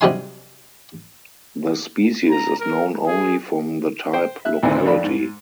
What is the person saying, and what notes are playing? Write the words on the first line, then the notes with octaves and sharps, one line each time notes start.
The species is known only from the type locality.
C3 F#3 G3 D#4 G#5 C6
A#5
A#4
G#4
C5 G5
E5 F#6
A1 D2 D#3 C4 E4 G#5
F2 D4 B5
G#2